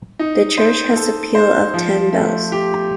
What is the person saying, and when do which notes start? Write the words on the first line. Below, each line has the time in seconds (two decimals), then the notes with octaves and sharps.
The church has a peal of ten bells.
0.19 D#4
0.58 C5
0.96 A4
1.35 C5
1.74 F3
2.13 A3
2.52 G4